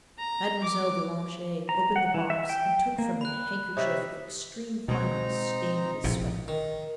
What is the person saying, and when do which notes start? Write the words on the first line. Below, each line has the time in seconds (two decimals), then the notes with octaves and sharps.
Mademoiselle de Langeais opened the box and took from it a handkerchief of extreme fineness, stained with sweat.
0.19 A#5
0.63 D6
1.69 A#5
1.96 F#5
2.14 E3
2.30 E5
2.49 G5
2.98 A#3
3.21 B5 F#6
3.77 C3 D#4 C#5 E5
4.88 B2 G#3 C4 D#4 A#5
6.04 A#1 A2 C3
6.48 D#3